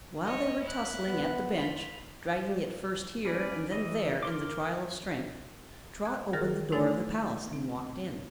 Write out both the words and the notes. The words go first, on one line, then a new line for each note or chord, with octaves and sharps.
While they were tussling at the bench, dragging it first here and then there in the trial of strength, Trot opened the door of the palace and walked in.
C#5 D#5
E4 F#6
B3
F4 B5
C#4 B4 D5
E3 D#5
A#4 C6 D6
A#5 F#6 G#6
D#3 G3 G#4 A#4 F6 A6
A3 D#4 E4 C#5 G#5 A6
C4